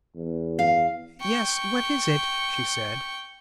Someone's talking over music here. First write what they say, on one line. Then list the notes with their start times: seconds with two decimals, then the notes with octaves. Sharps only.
"Yes, what is it?" she said.
0.15 E2
0.59 F5
1.21 G5 C#6